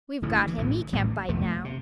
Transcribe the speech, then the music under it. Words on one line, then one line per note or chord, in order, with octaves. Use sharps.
"We've got him; he can't bite now."
A1 G2 D3 E3
E3
A1 A2 D3 F3
A1 A2 E3 G3
G1 F2 C3 F3 A3
C3